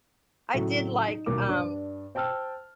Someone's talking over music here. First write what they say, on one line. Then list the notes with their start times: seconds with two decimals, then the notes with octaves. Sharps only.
I did, like, um,
0.54 A2 C#3 F#3 A3
1.08 D#4
1.26 D#1 B1 A#3 D6
1.48 G2 D4
2.15 C5 G5 A5 E6 F6